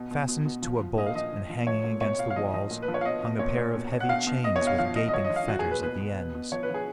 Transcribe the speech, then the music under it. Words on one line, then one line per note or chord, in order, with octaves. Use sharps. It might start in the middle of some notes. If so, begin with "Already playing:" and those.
Fastened to a bolt and hanging against the walls, hung a pair of heavy chains with gaping fetters at the ends.
Already playing: B2
B2
B2
B2
F3
F3
A#2 D#5
F5
F3 D#5
F3
F3
F3 C#5
A#2
B2 C#5
B2 F5
F5
F3 D#5
F3 D#5
A#2
B4
F3
C#5
F5
B2 D#5
B2
A#2 C#5
A#2
B2
B2
F#5
B2 F5
B2
B2 D#5
C#5
B2
F5
F3 F5
F3 D#5
D#5
F3 C#5
D#5
F3
F5
F3 F#4
G#4
A#2
B4
B2 B4
B2
B2
B2
F3 C#5
B4
F3 G#4